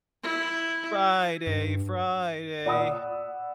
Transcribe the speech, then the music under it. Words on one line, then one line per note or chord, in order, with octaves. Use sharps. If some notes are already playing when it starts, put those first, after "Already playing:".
Friday. Friday.
E4
G2
D5 F#5 B5 D#6 E6